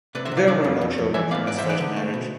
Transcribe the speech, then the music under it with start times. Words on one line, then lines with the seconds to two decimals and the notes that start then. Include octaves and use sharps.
There were no children from his first marriage.
0.15 C3 B4 D5
0.25 C5 E5
0.31 C3
0.37 D5 F5
0.48 D3 D5 F5
0.64 F2
0.81 F2
0.98 F2
1.14 E3 E5 G#5
1.31 B3 D5 F5
1.47 G#2 B4 D5
1.58 C5 E5
1.64 E3
1.69 B4 D5
1.80 D3
1.97 A3
2.14 B2